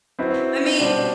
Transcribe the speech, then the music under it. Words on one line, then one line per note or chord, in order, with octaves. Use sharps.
I mean,
F#3 C4 E4 B4
B2 G3 D4 G4 C5